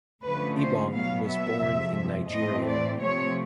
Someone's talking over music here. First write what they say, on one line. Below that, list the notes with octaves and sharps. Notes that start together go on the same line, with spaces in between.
Ebong was born in Nigeria.
D3 F3 A3 C#4 B4
C5
B2 F#3 B3 F5
E5
F2 C3 F3 G#3
A2 E3 A3 C4 D#5
D5
C3 F3 A3 C4 C#5